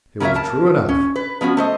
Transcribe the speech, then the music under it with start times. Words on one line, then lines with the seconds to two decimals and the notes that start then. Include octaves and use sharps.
It was true enough.
0.20 C#3 F#3 A#3 C#4 A#4 E5
0.35 A#4 A5
0.89 C#4
1.16 B4
1.41 F3 B3 C#4 F#4
1.57 A3 C5 D#5